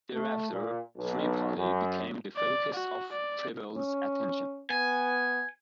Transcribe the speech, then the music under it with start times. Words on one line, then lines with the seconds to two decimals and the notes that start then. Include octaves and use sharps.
Thereafter, Tripoli became the focus of Preble's attention.
0.14 A3
0.51 A#2
0.97 B1
1.56 F#2
2.37 D5
2.74 F#4
3.13 D5
3.77 C#4
4.70 B3 G#5